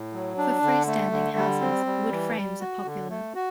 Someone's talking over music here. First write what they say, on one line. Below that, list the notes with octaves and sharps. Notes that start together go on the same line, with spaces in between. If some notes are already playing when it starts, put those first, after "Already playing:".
For freestanding houses, wood frames are popular.
Already playing: A2
F#3
D4
D3
A3
D3
G3
C4
G3
E3
G3
F#4
D3
A3
F#4